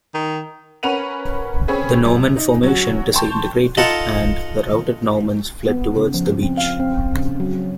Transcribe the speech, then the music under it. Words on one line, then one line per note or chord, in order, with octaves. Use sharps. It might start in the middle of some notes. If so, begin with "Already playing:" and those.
The Norman formation disintegrated and the routed Normans fled towards the beach.
D#3
C#4 A#4 B4 F#5 D#7 F7
C4 C#4 G#4 B4
F#2
D#4
F#3 C#4 F#4
G5 A5 C6 C#6 G6
D#4 F4 A4 F#5 A5 A#5
B3
C#3
F3
C4
F5
C4
C#3
F#3